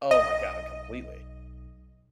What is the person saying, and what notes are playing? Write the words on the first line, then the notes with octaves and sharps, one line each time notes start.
Oh my god, completely.
B1 D#5